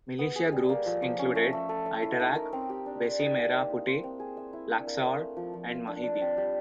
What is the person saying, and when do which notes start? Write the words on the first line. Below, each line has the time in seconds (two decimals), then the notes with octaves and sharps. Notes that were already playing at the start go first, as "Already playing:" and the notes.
Militia groups included Aitarak, Besi Merah Putih, Laksaur, and Mahidi.
0.19 B3
0.36 G#4
0.52 G3
0.69 A#3
0.86 F3
1.02 F3
1.19 C#4
1.35 A3
1.53 A3
1.69 A4
1.86 E5
2.03 E4
2.19 D#4
2.36 A#4
2.53 C4
2.69 G4
2.86 D4
3.03 D4
3.19 D#4
3.37 A#3
3.53 A#3
3.70 E4
3.87 C5
4.03 C4
4.19 G#4
4.37 E5
4.53 E4
4.70 D4
4.87 A#3
5.04 A#3
5.20 A3
5.36 F3
5.54 F3
5.70 F4
5.87 D4
6.03 D4
6.21 C4
6.37 G3